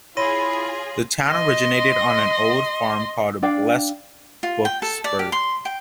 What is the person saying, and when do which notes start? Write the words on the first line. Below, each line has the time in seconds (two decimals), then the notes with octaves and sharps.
The town originated on an old farm called "Blesbokspruit".
0.17 E4 F4 G#4 C#5 C6 A#6 D#7
1.27 D#5 C6
3.42 D4 D5 F5 G5
4.43 F4
4.65 G5
4.82 A4
5.04 D5
5.19 G4
5.32 C6
5.65 G5